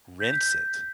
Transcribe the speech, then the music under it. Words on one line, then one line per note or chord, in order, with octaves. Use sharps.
Rinse it?
G6 B6